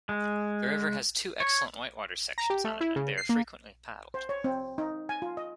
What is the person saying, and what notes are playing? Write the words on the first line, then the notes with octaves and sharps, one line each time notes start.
The river has two excellent whitewater sections on it, and they are frequently paddled.
G#3
C#5
A#5
G4
A3
E4
C#3
C7
A#3
C5
C#5
C4
D#4
G#5
F4
D#5